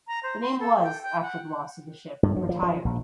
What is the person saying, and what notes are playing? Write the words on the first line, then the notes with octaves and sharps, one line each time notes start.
The name was after the loss of the ship retired.
A#5
C5
C6
A4
G5
G5
F#5
G2
F#3
F3
F3
A#1